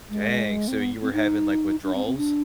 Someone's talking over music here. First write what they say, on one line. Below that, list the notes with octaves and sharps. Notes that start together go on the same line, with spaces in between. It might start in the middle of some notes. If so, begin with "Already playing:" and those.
Dang. So, you were having, like, withdrawals?
G#3
C4
B3
C4
D#4
D4
C4
C4
D4